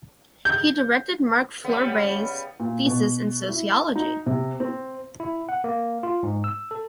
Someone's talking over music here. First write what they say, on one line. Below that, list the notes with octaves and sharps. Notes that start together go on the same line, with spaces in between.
He directed Marc Fleurbaey’s thesis in Sociology.
G6
C#3 G3 B3
A#2
B2
E4
D#4
C3
C4
E4
F#5
A#3
F4
G#2
E6
A4